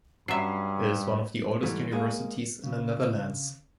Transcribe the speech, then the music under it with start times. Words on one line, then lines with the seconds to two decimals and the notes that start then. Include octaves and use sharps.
It is one of the oldest universities in the Netherlands.
0.28 G2 F#3 C#4 E5 C7
1.63 G#2 E3 G3 A3
1.91 G#3 A#3 G#4
2.64 C#3